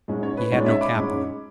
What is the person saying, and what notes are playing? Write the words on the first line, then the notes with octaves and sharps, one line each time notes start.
He had no cap on.
G#2 G#3 C#4
C#5
B4
G#2 G#3 C#4 C#5
D5
C#5 E5
B5 D6
G#2 G#3 C#4